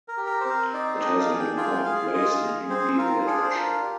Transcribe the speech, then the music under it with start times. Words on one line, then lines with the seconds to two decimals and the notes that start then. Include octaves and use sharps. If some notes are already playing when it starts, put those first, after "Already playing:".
It has an important place in Hindi literature.
0.08 A#4
0.17 G4
0.26 A#4
0.41 C5
0.45 C4 A#4
0.73 D#4 D5
1.01 D4 D#5
1.20 F5
1.30 G#4
1.39 G5
1.57 F4 G5
1.85 G#4 F5
2.14 F4 D#5
2.42 G#4
2.70 C4 C5
2.98 F4 A#4
3.26 D4 G#4
3.44 C5
3.55 F4 A#4
3.82 G4